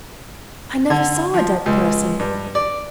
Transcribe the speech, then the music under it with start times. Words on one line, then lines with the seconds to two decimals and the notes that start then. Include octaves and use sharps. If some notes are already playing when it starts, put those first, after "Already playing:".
'I never saw a dead person.
0.90 D3
1.34 F3
1.66 C#2
2.19 G2
2.55 D5